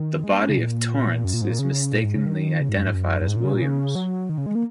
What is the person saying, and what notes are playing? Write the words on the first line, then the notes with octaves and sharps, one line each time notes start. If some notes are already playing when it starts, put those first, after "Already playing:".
The body of Torrance is mistakenly identified as Williams.
Already playing: D#3
G#3
A#3
C#4
C#3
A#2
F#2
A#2
G#2
A#2
C#3
A#2
G#2
C#3
D#3
C#3
G#2
F#2
G#2
F#2
F#2
G#2
A#2
C#3
A#2
C#3
F#3
D#3
C#3
G#3
A#3